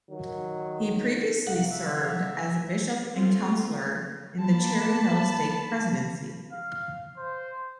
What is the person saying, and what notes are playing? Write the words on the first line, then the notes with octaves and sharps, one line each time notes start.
He previously served as a bishop and counselor in the Cherry Hill Stake Presidency.
D#3 F#3
C3 F5 F#5
E5
A3 C4 F4
A#3 A5 B5
F5
C5